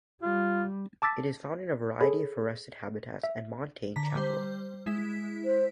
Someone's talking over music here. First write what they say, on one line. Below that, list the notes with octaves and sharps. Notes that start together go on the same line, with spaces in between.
It is found in a variety of forested habitats and montane chaparral.
G3 F4
A5 D6 E6 A6 B6
G#4 A4 C#5 B5
E5
D3 A#5 B6
G3 C5
G#3 E4 B6
C5